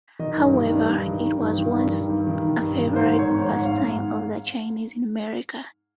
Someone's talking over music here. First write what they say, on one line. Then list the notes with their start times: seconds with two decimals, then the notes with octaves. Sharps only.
However, it was once a favorite pastime of the Chinese in America.
0.19 D#3 D#5
0.37 G2
0.54 D#3
0.72 G2
0.88 G2
1.06 D#3
1.24 D#3
1.40 G2
1.58 D#3
1.75 G2
1.92 D#3
2.10 G2
2.27 D#3
2.44 D#3
2.61 G2
2.79 D#3
2.96 G#2 C5
3.13 D#3
3.19 C#5
3.31 G#2
3.42 C#5
3.47 G#2
3.65 G#2 F5
3.82 G#2